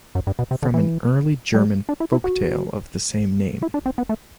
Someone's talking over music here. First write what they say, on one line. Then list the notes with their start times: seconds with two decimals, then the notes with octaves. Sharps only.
From an early German folk tale of the same name.
0.15 F#2
0.27 G2
0.39 B2
0.51 C3
0.62 D3
0.74 E3
1.54 G3
1.89 D4
2.00 E4
2.12 E4
2.24 F#4
3.62 E4
3.74 D4
3.86 C4
3.98 B3
4.09 A3